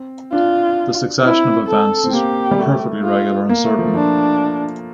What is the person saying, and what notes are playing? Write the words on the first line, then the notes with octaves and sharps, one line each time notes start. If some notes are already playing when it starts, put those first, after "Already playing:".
The succession of events is perfectly regular and certain.
Already playing: C4
D4 F4
C4 E4
A4
C4
A#3 G4
G3
A3
F4
A#3
A3
F3
F3 D4